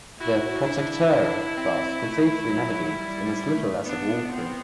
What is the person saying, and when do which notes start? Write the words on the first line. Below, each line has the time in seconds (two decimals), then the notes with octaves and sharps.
The "Protecteur" class could safely navigate in as little as of water.
0.20 E4 F#4
0.66 D4
1.11 D4
1.57 C4
2.03 A3
2.49 F#3
2.91 A3
2.95 G3
3.25 G3
3.48 G3
3.55 A3
3.85 B3 D4
4.32 C4